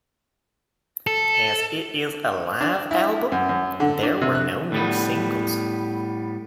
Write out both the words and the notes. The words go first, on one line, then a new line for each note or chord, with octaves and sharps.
As it is a live album, there were no new singles.
A4
D4
E4
F#2
F#2
D3
D4
C3
F#6
A2 G3 B3